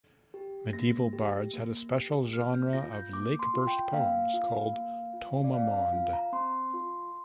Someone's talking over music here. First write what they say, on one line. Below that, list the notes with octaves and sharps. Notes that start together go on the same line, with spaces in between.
Medieval bards had a special genre of lake-burst poems called "tomamond".
G4
A#3 A#6
G4
A#3
G4
A#3 F6
G6
F4 A#6
G6
A#3 D6
C6
F4
G5
A#3 F5
F4
A#3
F4
D5
C4 F5
F5
F4 F5
A#5
C4 C6
F4